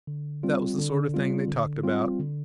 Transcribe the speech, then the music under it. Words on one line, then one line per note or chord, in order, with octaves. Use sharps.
That was the sort of thing they talked about.
D3
G3 C4 F4
D3
G3 C4 F4
D3
G3 C4 F4
D3